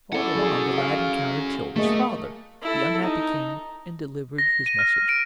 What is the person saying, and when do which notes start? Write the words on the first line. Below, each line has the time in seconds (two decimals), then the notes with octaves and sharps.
Farther on, the lad encountered Tilda's father, the unhappy King, and delivered his message.
0.13 C#4 E4 A4 D5 F#5
0.35 F#3 G#4 D5
0.78 F5
1.76 A3 A#3 G#4 D#5
2.62 E4 A4
3.02 D#4
4.38 A#6
4.66 D#7
4.79 F6
5.09 D7